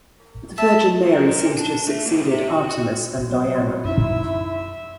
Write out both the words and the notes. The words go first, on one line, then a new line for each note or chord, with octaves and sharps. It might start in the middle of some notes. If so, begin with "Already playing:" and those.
The Virgin Mary seems to have succeeded Artemis and Diana.
E5 A5
A#2 A#4
D4
A3
D2 A#3
G4 E5
F#4
F#3 B3
F#2 B2 C#4 D#4 E4 E5